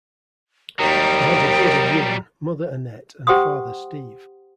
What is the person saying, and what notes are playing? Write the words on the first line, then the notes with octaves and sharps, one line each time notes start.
He has a brother Euan, mother Annette and father Steve.
D#2 F#3 G3 D#5 G5 A#5
G4 C5 F#5 G5 C6 D#6